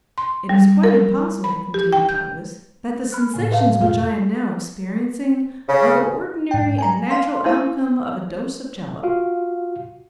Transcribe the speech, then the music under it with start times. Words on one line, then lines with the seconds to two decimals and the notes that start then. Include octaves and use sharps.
"It is quite impossible," continued Pybus, "that the sensations which I am now experiencing are the ordinary and natural outcome of a dose of jalap."
0.18 C6
0.49 G3
0.83 A#4
1.44 B5
1.74 G4
1.93 G5
2.09 G6
3.12 B5 F6 F#6
3.34 A2 C#3 G#5
3.51 B4 E5 F5 A5
3.81 F2 B2 F4 F5
5.68 C#3
6.51 G#2 G5
6.78 G#5 A#5
7.11 F5 C6
7.46 E4 C5 F5
9.03 F4 F#4 F5